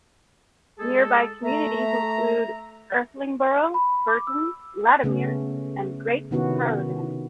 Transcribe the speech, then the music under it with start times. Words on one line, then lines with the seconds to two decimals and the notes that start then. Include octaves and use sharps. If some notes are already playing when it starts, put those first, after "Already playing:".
Nearby communities include Irthlingborough, Burton Latimer and Great Harrowden.
0.79 G#3 G#4 A4
1.44 A3 E5 A#5
3.74 B5
4.08 D6
4.27 E6
5.04 C#3 A3 B3 C#4
6.31 C3 D#3 B3 C#4 E4 F#4